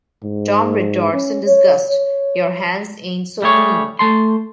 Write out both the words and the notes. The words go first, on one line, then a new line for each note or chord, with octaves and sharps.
Tom retorts in disgust: Your hands ain't so clean.
G#2
C#4
C#5
C#5
G3 A3 G#4 C#5
A3 A5 C6